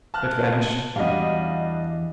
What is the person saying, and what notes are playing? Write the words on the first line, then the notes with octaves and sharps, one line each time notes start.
It vanished.
A5 F6 F#6
E2 G#2 G3 D4 F#4 D#5 F5